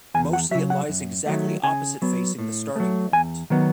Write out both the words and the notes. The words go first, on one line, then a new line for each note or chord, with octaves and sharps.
Mostly it lies exactly opposite facing the starting point.
E2 G#5
F#5
C#3 F#3 E5
F#5
F#2
D#3 F#3 A3
C#3 G#5
F#3 B3
A2
F#3 A3
E2 G#5
D#3 F#3 B3